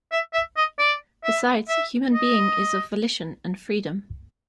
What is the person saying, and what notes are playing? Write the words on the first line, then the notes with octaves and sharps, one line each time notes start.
Besides human being is of volition and freedom.
E5
E5
D#5
D5
E5
E5
D#5